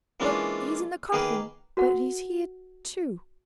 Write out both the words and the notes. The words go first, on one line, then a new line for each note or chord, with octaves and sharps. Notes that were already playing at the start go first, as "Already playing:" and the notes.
But he's in the coffin ... but he's here, too.
E3 G#3 A#3 C#4 D4 F4
D#3 A#3 G#4 B4
F#4 A#4 F#5